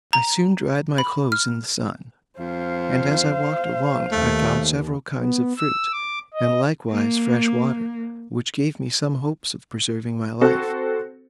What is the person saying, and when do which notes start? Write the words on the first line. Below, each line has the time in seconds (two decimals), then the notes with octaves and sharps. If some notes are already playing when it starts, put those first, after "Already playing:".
I soon dried my clothes in the sun, and as I walked along I found several kinds of fruit, and likewise fresh water, which gave me some hopes of preserving my life.
0.13 A#5
0.98 B5
1.32 F6
2.39 F2 C5 F5
4.11 D#2 A3
5.16 B3
5.57 E6
5.92 D6
6.34 D#5
6.91 A#3
10.41 C4 F#4 A4